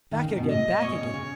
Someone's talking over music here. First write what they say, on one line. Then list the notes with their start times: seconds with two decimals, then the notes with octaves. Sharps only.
'Back again! back again!
0.11 D#3
0.24 C#3
0.37 B2
0.50 A2 D#5
0.81 B2 C#5
0.91 C#3
0.98 B2
1.14 C#3